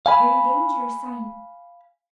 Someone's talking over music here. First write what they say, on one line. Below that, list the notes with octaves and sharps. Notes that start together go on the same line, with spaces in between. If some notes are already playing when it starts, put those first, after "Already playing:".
'A very dangerous sign!
F5 G#5 B5